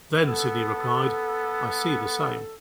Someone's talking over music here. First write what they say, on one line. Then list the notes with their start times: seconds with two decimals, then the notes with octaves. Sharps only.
Then Sidney replied, 'I see the same.
0.23 B3 A4